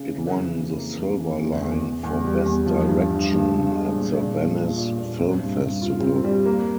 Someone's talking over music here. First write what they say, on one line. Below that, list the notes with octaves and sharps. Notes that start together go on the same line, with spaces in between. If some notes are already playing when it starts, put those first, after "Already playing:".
It won the Silver Lion for Best Direction at the Venice Film Festival.
Already playing: C#3
E3
F2
E3
A#3
F2
E3
E2
E2
E2
E2
G3
E2
F3
G2
G2
G2
G2
G#3
A#2
A#2
A#2
F4
A#2
A#2
C4
G2
G2
F4
C4
G3
A#3